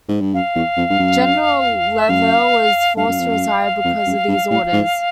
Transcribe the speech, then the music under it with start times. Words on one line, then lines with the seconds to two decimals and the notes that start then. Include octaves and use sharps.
General Lavelle was forced to retire because of these orders.
0.09 G#2
0.21 G2
0.34 F#2 F5
0.56 E2
0.77 F2
0.90 G2
0.99 F#2
1.99 E5
2.09 F#2 F5
2.97 G2 F5
3.08 F#2
3.20 F2
3.30 F#2
3.85 F2
4.07 F#2
4.28 G2
4.51 A2
4.72 G#2